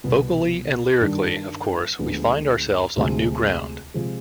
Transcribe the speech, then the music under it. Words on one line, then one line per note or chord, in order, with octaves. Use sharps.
Vocally and lyrically, of course, we find ourselves on new ground.
C2 B2 B3
G2 D#3 G3 D4
D2 D3 F3 G#3 B3
D2 C3 F3 G#3 C4
C3 F3 G#3